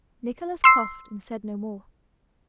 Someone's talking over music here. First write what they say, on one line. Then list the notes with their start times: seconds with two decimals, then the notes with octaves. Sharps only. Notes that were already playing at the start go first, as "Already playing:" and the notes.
Nicholas coughed and said no more.
0.64 C6 E6 C7